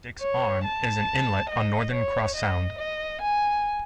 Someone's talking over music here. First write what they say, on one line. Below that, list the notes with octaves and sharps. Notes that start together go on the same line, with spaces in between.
Dicks Arm is an inlet on northern Cross Sound.
C#5
A5
D#5
C#5
D#5
D#5
G#5